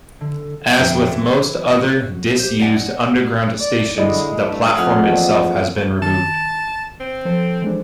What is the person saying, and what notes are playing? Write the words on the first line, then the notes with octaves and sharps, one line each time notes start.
As with most other disused Underground stations, the platform itself has been removed.
D3
F2 D3 C#4 E4 E5 G5
E3
F#4
G4 C5
D5 D#5 F#5 G#5
D5
D3 G#3 E4 D5 D#5
G2 A3
F2 G#4 F#5 F6
E3 A#3 D5
D#3 A5
C4
F3 A4 C5
E3 G#3 D4